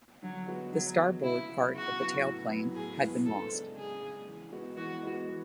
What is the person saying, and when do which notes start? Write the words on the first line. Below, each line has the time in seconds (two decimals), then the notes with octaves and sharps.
The starboard part of the tailplane had been lost.
0.22 D3 F#3
0.47 G#3 B3 F#4
0.73 D3 F#3
0.98 G#3 B3 F#4
1.23 C#3 E4
1.49 F#3 B3 E4
1.74 C#3 F#4
1.99 F#3 B3 E4
2.25 A2
2.50 F#3 B3 E4
2.75 A2 G#4
3.00 F#3 B3 E4
3.25 C#3 A4
3.51 G#3 D4
3.76 C#3 G#4
4.01 G#3 D4
4.27 E3
4.52 G#3 B3 F#4
4.77 E3 F#4
5.03 G#3 B3 F#4
5.28 E3